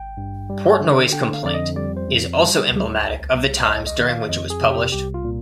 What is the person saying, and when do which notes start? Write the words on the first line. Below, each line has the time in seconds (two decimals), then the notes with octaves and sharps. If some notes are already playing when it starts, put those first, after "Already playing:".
"Portnoy's Complaint" is also emblematic of the times during which it was published.
Already playing: G#1 G5
0.17 G2
0.50 G3
0.80 D3
1.12 D3 G5
1.34 F5
1.45 F2 D5
1.54 D#5
1.76 G3 D5
1.97 C5
2.08 F2
2.39 G3
2.71 D2
3.02 C2
3.34 C2
3.65 D#2 D#5
3.87 D#5
3.97 D#3
4.08 F5
4.29 F2 D#5
4.50 G#4
4.61 C3
4.71 G4
4.92 C2 G4
5.14 F4
5.25 A#2